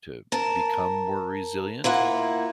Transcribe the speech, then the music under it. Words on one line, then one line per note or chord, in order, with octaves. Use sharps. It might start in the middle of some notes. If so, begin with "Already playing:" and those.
to become more resilient
A#4 A5
A#3 E4 F4 F#5